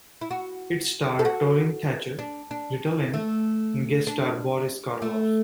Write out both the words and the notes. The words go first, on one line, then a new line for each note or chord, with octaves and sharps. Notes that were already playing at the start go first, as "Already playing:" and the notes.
It starred Torin Thatcher, Rita Lynn, and guest star Boris Karloff.
E4
F#4
A4
F#4
D4
D4
A3
D4
A3